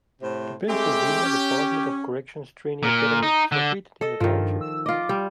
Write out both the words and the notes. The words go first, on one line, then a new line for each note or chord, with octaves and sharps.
The Pennsylvania Department of Corrections Training Academy is located in the township.
A2 C3 C5
G#3 A3 C4 G4
C#4
A#2
D#4
D3
A4 D#5
G2 D#3 F3
E6
F4 D#5 D6
G3